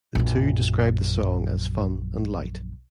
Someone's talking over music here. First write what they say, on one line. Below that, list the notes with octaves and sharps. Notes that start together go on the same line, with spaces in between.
The two described the song as "fun and light".
A#1 F#2